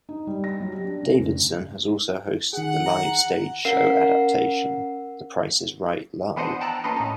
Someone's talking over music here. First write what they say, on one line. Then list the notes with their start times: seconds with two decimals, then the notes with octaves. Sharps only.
Davidson has also hosted the live stage show adaptation, The Price Is Right Live!
0.09 D#4
0.27 G3
0.44 A#6
0.60 F#3
0.72 G4
0.84 D4
1.03 C#3
1.18 F1
2.53 D#3 G#4 F#5
2.86 A#5
3.65 C#4 A#4 F5 F#5 C7
6.36 E3 B3 D4 C5 D#5 F#5
6.61 G5 A5 A#5 E6 F#6
6.84 A#3 C#4 F4 A4 B4 D#5
6.96 A2 C#4 D#4